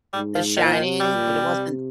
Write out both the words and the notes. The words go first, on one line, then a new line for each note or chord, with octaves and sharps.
The Shining, but it wasn't
G#2 G3
F3
A#2 D#3
F3
D#3
C3
G3
A#2
C3